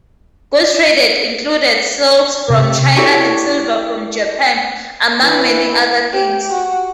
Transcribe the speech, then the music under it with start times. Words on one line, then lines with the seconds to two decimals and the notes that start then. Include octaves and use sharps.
Goods traded included silks from China and silver from Japan, among many other things.
2.50 C3
2.96 D4 E4 F#4 G4 A4 C#5
5.21 E3
6.13 G4
6.53 F#4